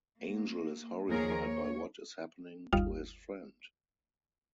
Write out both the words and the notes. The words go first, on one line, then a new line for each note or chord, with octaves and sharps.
Angel is horrified by what is happening to his friend.
A#3
D#2 F3 G#4 A#4 C#5
A#3 C#5
G1 D#2 G3 D#4 F4 F5